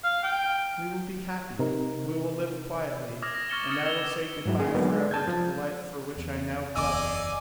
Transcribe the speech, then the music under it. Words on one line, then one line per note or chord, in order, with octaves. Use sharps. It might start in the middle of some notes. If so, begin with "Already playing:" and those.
We will be happy; we will live quietly, and I will say good-bye forever to the life for which I now blush.
F5
G5
C3 D#4 A#4
D6 D#6 F6 G#6 A#6
A#6
C#6 F6 A6 C#7 E7 G7
D#6 F6 G#6 C#7
E6 A#6 C#7 E7 F7 G7
G#2 F#3 E4
A#3 C#4 G#4
D3 F#3 G#3 A#3 B3 D#4
G#3
A5 G6 G#6
F3
E2
F#1 E2 D5 D#5 G#5 D6 E6